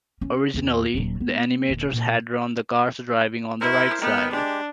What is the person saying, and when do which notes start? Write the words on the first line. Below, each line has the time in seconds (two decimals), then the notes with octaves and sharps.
Originally, the animators had drawn the cars driving on the right side.
0.21 C#4
0.54 E2 D#3
0.94 D#1 F#3
1.20 B3
1.68 D#1 D3
1.92 A#2
3.61 E4 A#4 C5
4.01 B3 D#4 A#4 G5
4.32 G#3 D4 G4